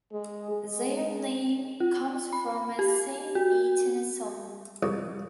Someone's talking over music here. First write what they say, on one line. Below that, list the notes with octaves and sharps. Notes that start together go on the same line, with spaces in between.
Their name comes from a Saint Etienne song.
G#3
G#3
F4
B5
G4
F#4
C2